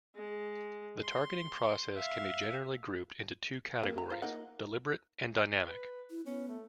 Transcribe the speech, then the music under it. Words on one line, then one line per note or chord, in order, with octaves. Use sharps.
The targeting process can be generally grouped into two categories: deliberate and dynamic.
G#3
C6
E5 F5
A#3
A#5
F4 C5
A#3 D#4 F#5
B4
E4
B3 C#4
A3